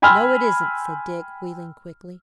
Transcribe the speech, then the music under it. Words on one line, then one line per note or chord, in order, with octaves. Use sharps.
'No, it isn't,' said Dick, wheeling quickly.
G5 G#5 B5 C6 E6 F6